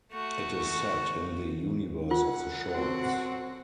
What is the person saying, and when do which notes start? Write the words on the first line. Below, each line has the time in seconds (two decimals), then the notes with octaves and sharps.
It is set in the universe of the shorts.
0.12 A3 F#4
2.11 F#2 F4 A4 F#5
2.71 C4 F#4